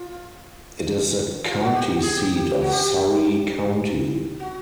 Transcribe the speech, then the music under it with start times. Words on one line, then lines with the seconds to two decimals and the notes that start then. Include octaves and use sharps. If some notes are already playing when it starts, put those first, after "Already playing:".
It is the county seat of Surry County.
Already playing: F4
1.46 F4
1.61 F#4
1.75 G4
2.02 G#4
2.16 G4
2.62 F#4
2.72 G4
4.40 F#4